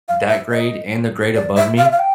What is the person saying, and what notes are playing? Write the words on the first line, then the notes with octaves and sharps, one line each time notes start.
that grade and the grade above me,
F5
E5
D#5
D5
E5
F5
E5
F5
G5